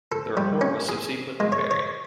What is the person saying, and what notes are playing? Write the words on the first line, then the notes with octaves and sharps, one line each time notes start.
The report was subsequently buried.
A4
G3
C#4
G#4
G#3
C#5
C#5